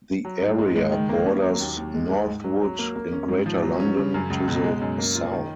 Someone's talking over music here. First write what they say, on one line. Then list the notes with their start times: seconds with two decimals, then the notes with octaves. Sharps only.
The area borders Northwood in Greater London to the south.
0.25 F#3
0.42 G#2
0.58 G#3
0.76 G#3
0.91 D#3
1.09 A#3
1.26 C#4
1.42 F#3
1.60 D#2
1.77 D#2
1.94 G#3
2.10 G#3
2.27 G#2
2.44 F#3
2.61 F#3
2.79 A#3
2.96 A#3
3.12 C#4
3.28 G#2
3.46 F3
3.63 F#3
3.80 C#4
3.97 C#3
4.14 F#2
4.30 C#2
4.48 B2
4.64 G#3
4.81 F#2
4.98 A#3
5.15 F4
5.32 D#3